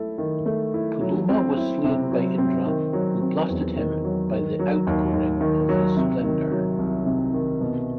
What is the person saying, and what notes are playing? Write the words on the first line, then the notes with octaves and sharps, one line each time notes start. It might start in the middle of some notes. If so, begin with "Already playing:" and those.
Puloman was slain by Indra, who blasted him by the outpouring of his splendor.
Already playing: A3 E4 A4
D#3
A3
E4
F#3
C4
E4
C3
F#3
C4
D#3
F#3
C4
E2
D#3
F#3
D#3
F#3
D#2
D#2
D#3
F#3
C3
D#3
F#3
C2
C3
D#3
B2